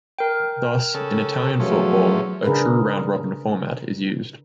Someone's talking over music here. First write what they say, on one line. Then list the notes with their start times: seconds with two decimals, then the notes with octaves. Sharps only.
Thus, in Italian football a true round-robin format is used.
0.19 A#4 G5
0.94 C#3 A4
1.60 E2 F3 F#3 A3 C#4
2.44 C#3 D4 G#4 A#4 B4